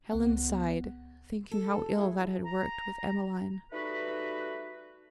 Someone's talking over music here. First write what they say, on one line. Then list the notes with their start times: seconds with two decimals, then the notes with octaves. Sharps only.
Helen sighed, thinking how ill that had worked with Emmeline.
0.11 C#2 B3 F#5
1.51 A4
1.95 G#3 E4
2.43 A#5
3.72 G3 A3 D#4 F#4 B4